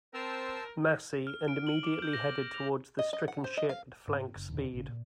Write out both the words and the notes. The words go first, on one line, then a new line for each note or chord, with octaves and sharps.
"Massey" and immediately headed toward the stricken ship at flank speed.
C4 A#4 C5 A5 E6
F6
D7
F#7
D6
G6
A#6
F7
D#5
D#5
F#5
C5
D#5
F5
G#2 C4
F#1
D#2 A#2 D3
A1 C#3
A#2